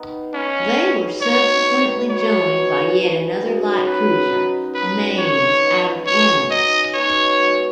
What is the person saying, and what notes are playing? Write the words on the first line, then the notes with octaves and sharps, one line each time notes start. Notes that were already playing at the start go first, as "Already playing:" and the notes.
They were subsequently joined by yet another light cruiser, "Mainz" out of Emden.
Already playing: D#3 B3 D#4
D#3 B3 C#4 D#4
F#3 B3 D#4
F#3 B3 D#4 C#5
B2 F#3 B3
B2 F#3 B3 C#5
B2 G#3 D#4
B2 G#3 D#4
F#2 F#3 D#4 F#4
F#2 F#3 D#4 F#4 B4
F#2 F#3 D#4
F#2 F#3 D#4 B4
G#2 G#3 B3 C#5
G#2 G#3 B3
G#2 F#3 C#4 G#4 C#5
G#2 F#3 C#4 G#4 D#5
B2 G#3 D#4 F#4 C#5
B2 G#3 D#4 F#4